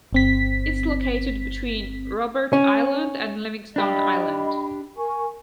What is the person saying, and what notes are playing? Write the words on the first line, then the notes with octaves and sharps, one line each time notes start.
It’s located between Robert Island and Livingston Island.
G1 C4 B6
C#4
D4 G4 D#5 B5
A#4 G#5 C#6